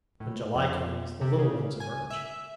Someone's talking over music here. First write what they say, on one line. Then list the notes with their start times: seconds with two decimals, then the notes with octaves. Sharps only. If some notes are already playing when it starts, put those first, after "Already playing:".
When July comes, the little ones emerge.
0.20 A2
0.55 F2
1.21 C3
1.39 C#3
1.80 G#5
2.10 E5